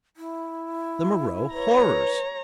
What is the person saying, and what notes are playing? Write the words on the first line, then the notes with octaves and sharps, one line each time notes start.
"The Moreau Horrors!"
E4
B4 C#5 A#5